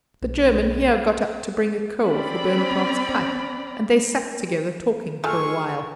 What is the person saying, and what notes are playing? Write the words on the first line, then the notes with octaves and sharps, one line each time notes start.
The German here got up to bring a coal for Bonaparte's pipe, and they sat together talking for a while.
B1
C4 C#4 D5 B5
F3 G#3 A3 G#5 C#6 E6 F6